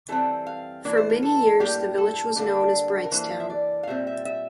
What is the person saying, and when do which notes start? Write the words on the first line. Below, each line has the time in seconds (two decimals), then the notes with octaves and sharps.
For many years, the village was known as "Brightstown".
0.08 E3 G3 C4 A4
0.47 F5
0.85 E3 A#3 D4 D5
0.97 C5
1.10 A#4
1.22 A4
1.60 A2 G3 A#3 D4 G4
1.98 A4
2.36 D3 G3 A#3 D4
3.04 A#4
3.12 E3 A#3 D4 C5
3.31 F5
3.40 E5
3.50 D5
3.83 F5
3.87 A#2 G3 C4 E5
4.07 E5
4.25 E5